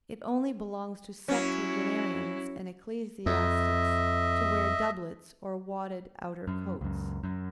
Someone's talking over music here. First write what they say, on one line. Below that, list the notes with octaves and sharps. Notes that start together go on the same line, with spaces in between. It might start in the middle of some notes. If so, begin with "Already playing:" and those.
It only belongs to septuagenarians and ecclesiastics to wear doublets or wadded outer coats.
F#3 C#4 E4
F2 D#5 E5
F#2
C#2 F#2
F#2